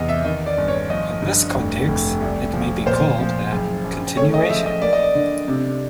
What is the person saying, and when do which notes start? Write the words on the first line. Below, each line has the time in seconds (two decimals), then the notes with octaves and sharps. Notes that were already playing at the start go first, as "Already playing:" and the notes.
In this context it may be called a "continuation".
Already playing: E2 C3 D#5
0.09 E5
0.25 D#3 D#5
0.46 D5
0.58 G1
0.68 C#5
0.90 F3 D#5
1.22 G2
1.55 F1
1.88 F1
2.21 C2
2.54 F3
2.86 A#2 C5
3.19 F3
3.52 F#1
3.84 F#2
4.17 A3 C#5
4.34 D#5
4.49 F3 E5
4.66 D#5
4.82 A#3 D5
4.93 D#5
5.03 D5
5.15 D3
5.48 C3